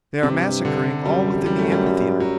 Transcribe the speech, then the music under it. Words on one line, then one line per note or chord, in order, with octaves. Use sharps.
They are massacring all within the amphitheatre.
G2 C3
D3
F#2 G3
F#2 G3
A3
G3
G3
F#3